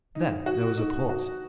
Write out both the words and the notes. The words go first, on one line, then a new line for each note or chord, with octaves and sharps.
Then there was a pause.
D#4
F#4
D#4
F#4